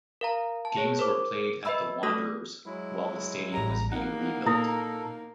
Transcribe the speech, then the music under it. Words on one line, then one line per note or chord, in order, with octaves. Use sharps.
Games were played at the Wanderers while the stadium was being rebuilt.
A#4 F5 A#5
A5
G#4 C#5
A#4 C5 D6
B4 D#5 E5 B5 E6
A3 F#4 A4 D#6 A#6
F#3 G#3 E4
A1 G3 A#5
G3 A#3 D#4 F#5
A#2 E4 A4 A#5 D#6